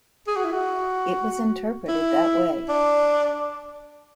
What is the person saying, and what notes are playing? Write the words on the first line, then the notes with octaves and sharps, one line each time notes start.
It was interpreted that way.
G#4
F#4
E4
F#4
E4
D4